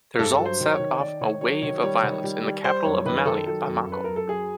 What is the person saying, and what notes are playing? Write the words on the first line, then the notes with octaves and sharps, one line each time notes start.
The result set off a wave of violence in the capital of Mali, Bamako.
G2 A4
F#3
C5
D#3
C#5
D#3
D#3 D5
D#3 C#5
F#3 C#5
D#3 C#5
G3 C#5
D#3
G3
G3
G3 C5
F#2 C#5
D#3 B4
D#3 A4
F#3 A4
F#2
F#2
B4
F#2 A#4
A4
F#3 G#4